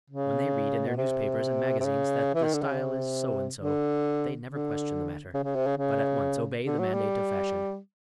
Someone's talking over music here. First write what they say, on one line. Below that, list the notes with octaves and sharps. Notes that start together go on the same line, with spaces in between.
When they read in their newspapers and magazines that the style is so-and-so, they never question the matter, but at once obey the mandate of fashion.
C#3
B2
C3
C3
C#3
E3
D#3
D3
C#3
C3
D3
D3
C#3
C#3
C3
C#3
C#3
D3
F#3
G3